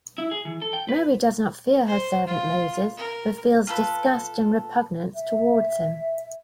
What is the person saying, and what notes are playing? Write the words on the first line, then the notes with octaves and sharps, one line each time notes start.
Mary does not fear her servant Moses but feels disgust and repugnance towards him.
E4
G#4
E3
A4
G5
B4
C5
F4
A#4
F4 A4 B4
E5